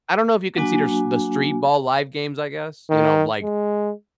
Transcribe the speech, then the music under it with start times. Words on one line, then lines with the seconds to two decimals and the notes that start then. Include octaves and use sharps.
I don't know if you can see the street ball live games, I guess, you know, like,
0.56 F#3 A#3 D4 F#4 G#5
2.90 D#3
3.42 G#3